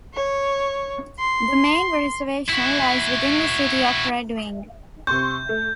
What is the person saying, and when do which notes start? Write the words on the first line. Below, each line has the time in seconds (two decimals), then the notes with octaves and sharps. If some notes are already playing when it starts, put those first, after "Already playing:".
The main reservation lies within the city of Red Wing.
0.14 C#5
1.19 C6
2.48 E4 F#4
5.07 C3 C6 C#6 G6
5.49 A3